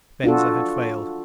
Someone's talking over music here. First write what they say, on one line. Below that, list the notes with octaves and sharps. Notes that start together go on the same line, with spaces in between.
Venza had failed.
D4 F4 F#4 A4